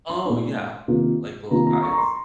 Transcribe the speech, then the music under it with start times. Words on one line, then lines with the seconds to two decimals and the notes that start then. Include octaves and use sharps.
Oh, yeah, like little guides.
0.10 C6
0.25 A#2 G#3 D#4
0.88 C3 D#3 A#3 F4
1.51 C3 D#3 A#3 F4 A#5
1.67 A#5
1.83 C#6
1.91 A#5
1.98 C6